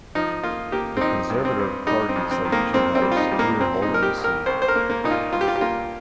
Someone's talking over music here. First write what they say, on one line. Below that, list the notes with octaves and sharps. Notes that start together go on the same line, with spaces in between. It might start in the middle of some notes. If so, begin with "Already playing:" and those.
The conservative parties have usually had a secure hold on the seat.
F3 D#4
A#3 F4
A#3 G4
C4
F3 D#4
G2
C4
G2
G3 D#4
C4
F2
C4
D#3
A#3
F2 C4
C4
G3
F4
D#4
G3
A#3
A#3
A#2 C4
D#4
A#2
A#4
G4
C2
A#4
C2 C5
C5
A#4
A#3
A#3
A#2 D#4
F4
G2 F4
G4
F4
G4
A#3 F4